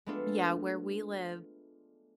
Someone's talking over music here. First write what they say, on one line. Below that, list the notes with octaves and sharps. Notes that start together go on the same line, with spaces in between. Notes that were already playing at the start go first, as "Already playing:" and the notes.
Yeah, where we live,
G#3 A3 B3 D4 F4 A4